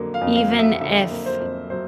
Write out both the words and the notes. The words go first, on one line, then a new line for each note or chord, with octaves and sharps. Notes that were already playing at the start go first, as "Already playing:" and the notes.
even if
Already playing: F2 D3 F#3 A#3
F5
F2
F5
F#3
E5
D3 E5
A#3
C5
F2
F#3 C5